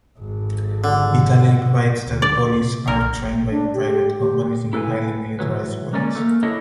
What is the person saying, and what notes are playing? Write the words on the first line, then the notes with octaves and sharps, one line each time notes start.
Vitale writes that police are trained by private companies in highly militarised ways.
G#1 F2
D3
D2
D5
C3
B1 A#4
A1
D4
G4
G4
E4 A4 B4 E5 F5 G#5
E3 F#3 B4
G#3 A#3 C#4 D5 G#5
A3 A#3 A#4
D4 E4 A4 C#5 D#5 E5